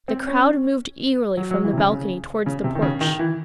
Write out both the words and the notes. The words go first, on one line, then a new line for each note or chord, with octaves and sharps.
The crowd moved eagerly from the balcony toward the porch.
C4
C#4
F#3
F#3
E3
C3
C#3
C#3
C#3
C3
D#3
C#3
D#3
E3